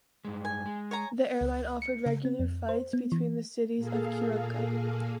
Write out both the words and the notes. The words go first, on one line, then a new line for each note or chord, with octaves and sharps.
The airline offered regular flights between the cities of Cuenca.
G2 G#3
G#5
G#3
C#5 G#5 A#5
C#2
C#7
C#3
C4
F2
C5
B3
E3
A#2 A#3 G#4 A4 F5